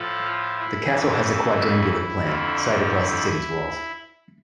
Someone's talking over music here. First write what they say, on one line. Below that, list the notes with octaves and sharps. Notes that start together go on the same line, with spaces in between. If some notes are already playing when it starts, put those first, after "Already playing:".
The castle has a quadrangular plan, site across the city's walls.
Already playing: A2 F3 A4
F4
E4
F2 C#3 E3 D4
E4
E4
F2 D3 F3
D4
E4